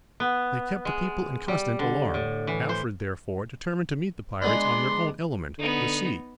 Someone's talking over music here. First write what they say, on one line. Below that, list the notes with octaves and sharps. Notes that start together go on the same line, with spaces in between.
They kept the people in constant alarm. Alfred therefore determined to meet the pirates on their own element, the sea.
B3
G#3
G3
D3
A2
E3
C5
G#3 B3 D4 C6
D3 B3 D#4